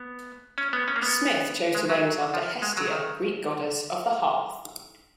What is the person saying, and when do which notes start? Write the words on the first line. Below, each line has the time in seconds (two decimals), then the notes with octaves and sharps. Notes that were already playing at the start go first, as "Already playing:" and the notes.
Smyth chose to name it after Hestia, Greek goddess of the hearth.
Already playing: B3
0.58 C#4
0.73 B3
0.88 C#4
0.96 A#3
1.02 B3
1.75 G#3
1.90 F#3
2.34 F3
2.62 G#3
2.77 F#3
2.92 D#3